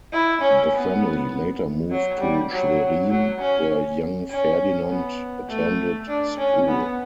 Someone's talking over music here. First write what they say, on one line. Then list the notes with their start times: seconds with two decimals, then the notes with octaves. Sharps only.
The family later moved to Schwerin, where young Ferdinand attended school.
0.13 E4
0.41 C#4
0.72 B3
1.91 F#3
2.20 G3
2.51 F#3
3.10 F#3
3.40 C#4
4.30 C#4
4.89 B3
5.49 A3
6.08 D4
6.38 C#4
6.67 B3